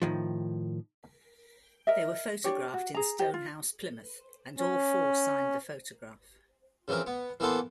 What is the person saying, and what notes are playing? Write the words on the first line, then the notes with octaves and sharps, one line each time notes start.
They were photographed in Stonehouse, Plymouth, and all four signed the photograph.
A2 D#3 F3
A#4 D#5 E5
D4 G4 C#5
F#4
G#4 A#5
G4 C5 D#5
F4
C#4
C#3 E3 F3 C4 A#4
B3
E3 A#3 B3 A4 B4 C5